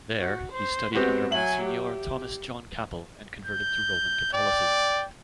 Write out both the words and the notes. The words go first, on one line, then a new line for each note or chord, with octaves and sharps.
There, he studied under Monsignor Thomas John Capel and converted to Roman Catholicism.
F#4
C5
G#3 B3 C4 F#4 G4
F#3 E5 G#5 F#7
G4
G6
D5 G5